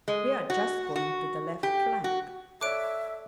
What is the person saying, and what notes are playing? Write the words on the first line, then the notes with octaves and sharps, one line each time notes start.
We are just going to the left flank.
G#3
F#4
F#4
G4
F#4
A4 C#5 D5 E5 D6 F#6 D7